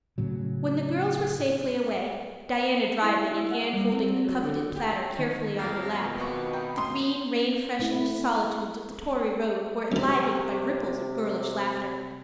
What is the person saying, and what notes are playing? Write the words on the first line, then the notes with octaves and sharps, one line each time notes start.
When the girls were safely away, Diana driving and Anne holding the coveted platter carefully on her lap, the green, rain-freshened solitudes of the Tory Road were enlivened by ripples of girlish laughter.
A2 C#3 F#3
E4
E4
F#5
G3
C4
F#3
D3
G4
D#3
F2 F3 A#3
B2 D#3
B3 D5 D#5 C#6
D#4 B4 G5
A2 C6 D#6
A3 C4 E4
F#2 C3 D#3